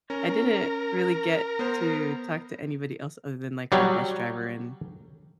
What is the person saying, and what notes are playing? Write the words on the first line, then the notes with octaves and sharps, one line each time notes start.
I didn't really get to talk to anybody else other than, like, our bus driver and
C#4 A#4
B3 C5
F#3 G3